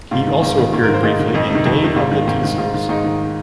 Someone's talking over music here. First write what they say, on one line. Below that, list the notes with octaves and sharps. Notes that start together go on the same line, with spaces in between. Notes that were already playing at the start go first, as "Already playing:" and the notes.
He also appeared briefly in "Day of the Diesels".
G#2 F4
D#3
G#2
D#3
G#2 F4
D#3 A#4
C5
G#2 D#5
D#3
F2 D#5
C3 D#4
D#3
F2
C3 D#3
G#2 F4
D#3
G#2
D#3
G#2 F4
D#3
G#2 D#4
D#3